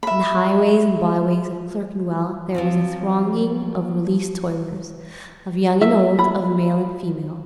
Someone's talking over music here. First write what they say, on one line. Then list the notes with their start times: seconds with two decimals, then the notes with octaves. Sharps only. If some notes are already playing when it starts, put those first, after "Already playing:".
In the highways and byways of Clerkenwell there was a thronging of released toilers, of young and old, of male and female.
0.03 E5 B5
2.55 F3 F#3 C4
5.81 E5
6.19 B5